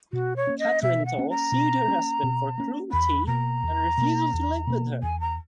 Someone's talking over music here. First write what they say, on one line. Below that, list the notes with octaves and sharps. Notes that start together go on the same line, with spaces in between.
Katherine Thaw sued her husband for cruelty and "refusal to live with her".
B2 F#4
C#5
A#3 C#4
D#5
B2 E5
F#5
A#3 C#4
A#5
B2
A#3 C#4
B2
A#3 C#4
E2 B5
B2 A#3 A#5
E2
B2 A#3
E2
B2 A#3
E2 G#5
A#5